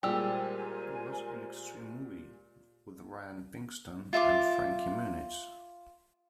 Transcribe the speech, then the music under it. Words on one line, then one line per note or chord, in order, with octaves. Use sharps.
He was in "Extreme Movie" with Ryan Pinkston and Frankie Muniz.
A#2 G3 G#3 A#4 C5 G5 G#5 E6
F4 E5 C6 D6